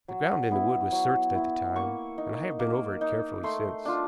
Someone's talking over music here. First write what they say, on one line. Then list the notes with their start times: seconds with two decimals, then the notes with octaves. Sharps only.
The ground in the wood was searched at the time, and I have been over it carefully since.
0.08 F#3
0.51 B3 E4
0.92 F#3
1.35 B3 E4
1.76 A#3 C#6
2.18 D#4
2.59 A#3
3.01 D#4
3.43 A3 C6
3.85 D4 F4 A5